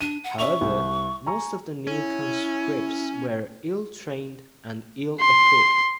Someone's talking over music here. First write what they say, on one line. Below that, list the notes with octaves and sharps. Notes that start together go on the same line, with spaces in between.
However, most the new conscripts were "ill-trained and ill-equipped".
D4 D#7
F#5
C#4 E5 C#6 F7
C2
G#5 A#5 C#6
C#4 E4
C6